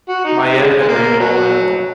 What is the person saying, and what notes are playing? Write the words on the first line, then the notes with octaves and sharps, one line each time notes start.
Mayenne had rained all night long.
F#4
D#4
G#3
G#3
A#3
F#3